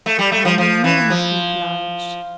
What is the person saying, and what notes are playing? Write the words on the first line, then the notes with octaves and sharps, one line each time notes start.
I am enormously obliged.
A3
G3
A3
F3
F3
E3
F3